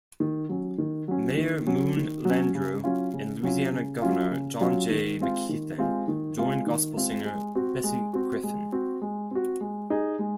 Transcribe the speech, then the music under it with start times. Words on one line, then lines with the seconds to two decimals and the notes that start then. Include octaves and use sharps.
Mayor Moon Landrieu and Louisiana Governor John J. McKeithen joined gospel singer Bessie Griffin.
0.20 D#3
0.49 F#3 C#4
0.78 D#3
1.08 F#3 C#4
1.37 D#3
1.67 F#3 C#4
1.97 D#3
2.25 F#3 C#4
2.55 C#3
2.84 F#3 C#4 F4
3.13 C#3
3.43 F#3 C#4 F4
3.73 C#3
4.02 F#3 C#4 F4
4.31 C#3
4.61 F#3 C#4 F4
4.90 D#3
5.20 G#3 C4 F4
5.49 D#3
5.78 G#3 C4 F4
6.08 D#3
6.38 G#3 C4 F4
6.67 D#3
6.96 G#3 C4 F4
7.25 G#3
7.55 C4 F#4
7.84 G#3
8.13 C4 F#4
8.43 G#3
8.72 C4 F#4
9.02 G#3
9.31 C4 F#4
9.61 G#3
9.90 D#4 G#4
10.19 G#3